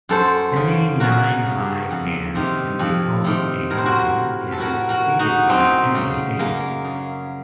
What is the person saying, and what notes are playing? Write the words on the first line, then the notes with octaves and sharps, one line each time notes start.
Any nine-high hand can be called "a nine", and is defeated by any "eight".
F#2 A4 C5
C#3
F#2 F#4 A#4
C#3
F2
C3 D#3
F2
C3 D#3
A2 A#4
C5
F#4 A#4
A4
A2 F#4 A#4
F#4 A#4
D#4 F#4
F#2 C4 D#4
C#3
F#2 A#3
C#3